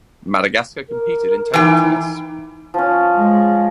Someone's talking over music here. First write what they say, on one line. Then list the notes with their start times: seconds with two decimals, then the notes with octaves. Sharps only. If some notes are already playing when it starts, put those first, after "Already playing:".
Madagascar competed in table tennis.
0.90 A#4
1.54 E3 D#4 G5
2.74 F3 C#4
3.16 G#3